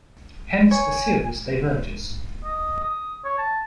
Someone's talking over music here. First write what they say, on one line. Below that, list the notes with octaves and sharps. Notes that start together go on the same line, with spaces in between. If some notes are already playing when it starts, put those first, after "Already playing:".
Hence the series diverges.
C#5 G#5
D#5
D#6
C#5
A5